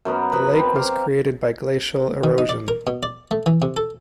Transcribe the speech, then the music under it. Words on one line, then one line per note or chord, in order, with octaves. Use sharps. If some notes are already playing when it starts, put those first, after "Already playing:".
The lake was created by glacial erosion.
F#2 F#3 B3 A#4
F#3 B3 B4 B5
C4
A#4 D5 F5
D#3
D#4
D5
A#4
B2
D5
A3
E3
C3
A4